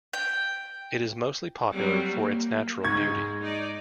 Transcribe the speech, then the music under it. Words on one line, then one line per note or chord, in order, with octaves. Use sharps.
It is mostly popular for its natural beauty.
G5
F#3 G3 C4
A#3
G#2 G#3 C#6 G#6
D#4 D5